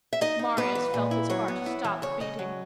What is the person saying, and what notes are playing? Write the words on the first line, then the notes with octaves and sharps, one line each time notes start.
Marius felt his heart stop beating.
E5
D#4 D#5
D#4
B3 B4
E3
A#2
E4
F#3 C#5
B3
E4
E3
C#3 C#5
C#3 D#5
F#3